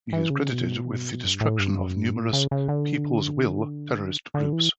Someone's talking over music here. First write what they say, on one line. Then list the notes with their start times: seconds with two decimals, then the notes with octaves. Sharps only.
He is credited with the destruction of numerous "People's Will" terrorist groups.
0.13 E3
0.30 C#3
0.49 B2
1.24 F#2
1.32 G2
1.41 A2
1.59 G2
1.78 F#2
1.96 G2
2.14 A2
2.33 C#3
2.51 C#3
2.68 D3
4.34 D3
4.53 E3